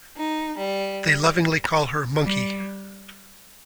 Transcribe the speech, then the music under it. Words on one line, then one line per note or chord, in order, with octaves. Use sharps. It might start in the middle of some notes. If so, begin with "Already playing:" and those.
They lovingly call her Monkey.
D#4
G3
G3